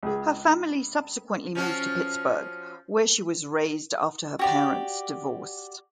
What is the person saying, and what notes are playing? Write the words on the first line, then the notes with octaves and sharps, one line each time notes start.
Her family subsequently moved to Pittsburgh, where she was raised after her parents' divorce.
C#2 G#4
F3 C#4 F#4
F#4 G4 D5